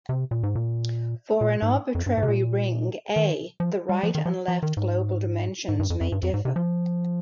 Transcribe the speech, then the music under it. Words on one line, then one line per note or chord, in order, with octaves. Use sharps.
For an arbitrary ring "A" the right and left global dimensions may differ.
C3
A#2
G#2
A#2
A#2
G#2
F2
G2
G#2
C3
A#2
D#3
F3
G3
F3
D#3
F3
F3
D#3
G#2
G#2
G2
F2
F2
G2
F2
G#2
C3
F3